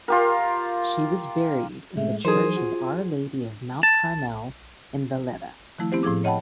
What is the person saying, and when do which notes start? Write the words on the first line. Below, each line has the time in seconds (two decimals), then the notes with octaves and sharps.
She was buried in the church of Our Lady of Mount Carmel in Valletta.
0.08 F4 G4 A#4
1.97 A2 G#3 A3 E5
2.25 E3 F#3 D#4 G#4 A#4 C5
2.57 F4 F#4
3.83 A5
5.79 D#3 F3 A3 E4
5.92 B3 C4 E4 G4 C5
6.03 A2 F3 E4 G#4 D6
6.24 C#5 D#5 F#5 G5 A5 B5